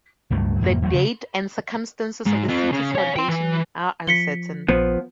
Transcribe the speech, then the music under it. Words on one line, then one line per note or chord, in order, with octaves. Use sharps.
The date and circumstances of the city's foundation are uncertain.
C#2 G2 F#3 A3
F2 G#2 C3 A#3
E2 F#3 A3
C#3
G#2
C4 F4
C#3
C#5 F5
G5 C6
E3
F3 B6 C#7 G7
A#1 F3 B3